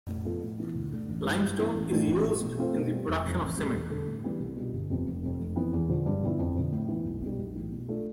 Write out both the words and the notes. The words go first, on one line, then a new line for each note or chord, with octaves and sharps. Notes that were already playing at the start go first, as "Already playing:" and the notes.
Limestone is used in the production of cement.
A2
F3 B3 F4 A4
A2
E3 B3
D2
D3 A3 D4
A1
G2 E3 A3 D4
G2
E3 B3 E4
A1
A2 E3 A3 D4
A1
A2 F3
B2
A3 C4 F4 A4
B2
G3 B3
F1
F2 C3
A1
A2 G3 D4 A4
E2
D3 G3 D4 A4
A2
E3 G3 B3 D4
C2
B2 G3 D4 F4
G1
F2 C3 F3 B3
F1
F2 C3
F1
F2 E3 B3
E2
D3 F3
G2
D3 F3 B3 E4
F2
D3 F3
A2
E3 B3
B1
B2 G3
B1
A2 E3
B2
A3 D4 F4 A4